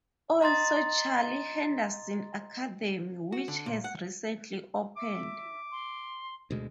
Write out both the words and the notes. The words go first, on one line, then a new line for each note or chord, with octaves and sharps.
Also Charlie Henderson Academy, which has recently opened.
D#5 A#5 C6 A6
F#4
D3
A#2
F#5
E5 D6
C6
D2 B2 G#3